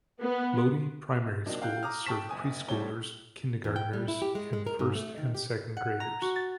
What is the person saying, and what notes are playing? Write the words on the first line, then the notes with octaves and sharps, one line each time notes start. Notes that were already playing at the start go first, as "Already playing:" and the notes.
Lodi Primary School served preschoolers, kindergarteners, and first and second graders.
B3
C3 F#3 A#3 D4 D#4
F5 G5 F#6 G6
A#5 D6 D#6 F6
G5 A5 C#6 B6 E7
F#1 G#5 D#6
A2 C3 G3 C#5 G7
E2
G5
G3
E4
G4
G#3
G#3
A#4
G#2
A3
D#3
G4
F#5
A#5
F#4
A6